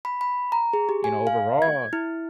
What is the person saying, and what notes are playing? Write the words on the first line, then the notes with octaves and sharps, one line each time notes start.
you know, overall
B5
B5
A#5
G#4
G4
G#5
F5
G#6
E4